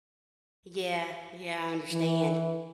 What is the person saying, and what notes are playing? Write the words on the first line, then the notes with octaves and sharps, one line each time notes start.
Yeah, yeah, I understand.
E3